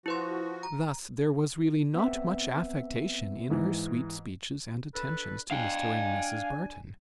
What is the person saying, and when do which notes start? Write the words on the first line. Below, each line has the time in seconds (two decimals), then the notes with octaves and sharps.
Thus there was really not much affectation in her sweet speeches and attentions to Mr. and Mrs. Barton.
0.06 F3 E4 F#4 B4 C6
0.63 A#5
1.95 B3 C4 E5
3.50 G#2 E3
4.95 D4 A4 B4
5.51 D4 F5 G5 G#5